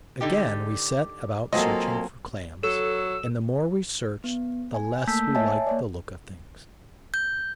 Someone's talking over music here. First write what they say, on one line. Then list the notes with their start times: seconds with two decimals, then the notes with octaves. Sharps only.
Again we set about searching for claims, and the more we searched the less we liked the look of things.
0.21 D3 D#4 G4
1.53 F#3 A#3 C4 F4 A4 D#5 G#5
2.63 F#3 A4 E6 E7
4.24 B3
4.74 G#5
5.07 A3 A#3 A5 E6 G6 B6
5.35 C#5 D#5 E5 G#5 A5
5.67 A#3 C#5 D5
7.14 G6